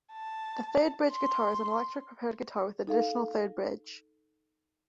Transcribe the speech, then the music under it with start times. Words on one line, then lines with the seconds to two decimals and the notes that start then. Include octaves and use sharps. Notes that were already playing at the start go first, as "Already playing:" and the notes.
The third-bridge guitar is an electric prepared guitar with an additional, third bridge.
0.13 A5
1.12 C6
2.87 D#4 A4 F5